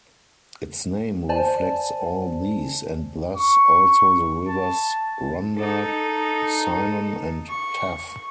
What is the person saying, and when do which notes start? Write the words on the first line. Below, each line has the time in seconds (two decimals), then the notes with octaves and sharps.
Its name reflects all these, and thus also the rivers Rhondda, Cynon and Taff.
1.29 C5 D5 G#5 A5
3.36 C#6
4.49 A5
5.56 D#4 A4
7.49 C#6